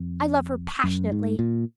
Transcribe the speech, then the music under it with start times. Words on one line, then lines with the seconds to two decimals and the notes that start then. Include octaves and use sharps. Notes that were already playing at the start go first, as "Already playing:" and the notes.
I love her passionately.
Already playing: F2
0.84 F#2
1.12 G#2
1.39 A#2